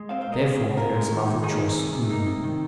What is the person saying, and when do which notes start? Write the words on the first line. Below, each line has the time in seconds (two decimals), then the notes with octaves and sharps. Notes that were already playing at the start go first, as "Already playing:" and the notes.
Therefore there is love of choice in them.
Already playing: G#3
0.09 C4 C5 F5
0.21 C5 F5
0.27 A#2
0.32 A#4 D#5
0.43 A#2 G#4 C5
0.60 C4
0.76 A#2 F4 A#4
0.94 G#3
1.10 D#3
1.26 D#3
1.43 D#3 D#4 G#4
1.59 D#3
1.77 C3
1.93 C3
2.09 A#3 D#4
2.26 C3
2.44 D#3